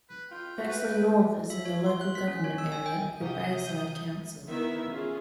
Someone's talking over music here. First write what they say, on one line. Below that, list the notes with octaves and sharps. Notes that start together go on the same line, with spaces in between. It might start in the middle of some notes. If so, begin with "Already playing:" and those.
Bexley North is in the local government area of the Bayside Council.
B4
F4 G5
F#4
B4
E5
C#5
C6
F#6
B6
C#4
C#5
E6
G#5
G5
C2 G4 E5 D#6 G6
D#3 B3 E4 E5
C#4 F4 G#4